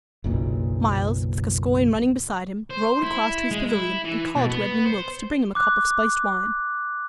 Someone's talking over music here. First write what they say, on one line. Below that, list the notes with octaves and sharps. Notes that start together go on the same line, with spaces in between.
Myles, with Gascoyne running beside him, rode across to his pavilion, and called to Edmund Wilkes to bring him a cup of spiced wine.
F#1 B1 A#2
C5
E4
G#3
E4
E3
B2
B3
C5
D6 F#6